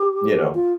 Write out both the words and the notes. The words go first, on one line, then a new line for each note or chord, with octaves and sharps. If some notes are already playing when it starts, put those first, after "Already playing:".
you know.
Already playing: G4
F4